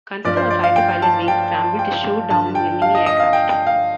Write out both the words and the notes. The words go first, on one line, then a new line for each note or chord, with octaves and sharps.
Consider a fighter pilot being scrambled to shoot down an enemy aircraft.
G2 F3 D5
C5
D5
F5
G5
A5
G5
G5
G2 D3 F3 A5
G5
F5
D#5
D#5
F5
G5
G5
F5